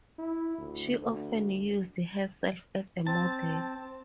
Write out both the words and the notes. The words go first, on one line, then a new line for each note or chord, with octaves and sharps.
She often used herself as a model.
E4
D2
D2
C4 A5